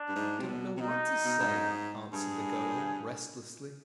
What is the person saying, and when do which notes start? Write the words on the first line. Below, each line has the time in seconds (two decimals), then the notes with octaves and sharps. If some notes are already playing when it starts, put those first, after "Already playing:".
"I don't know what to say!" answered the girl restlessly.
Already playing: D4
0.08 G2
0.15 G#2
0.39 C3
0.48 B2
0.77 C3
0.81 B2 D#4
1.24 B2
1.39 G2
1.46 G#2
2.12 G2 G#4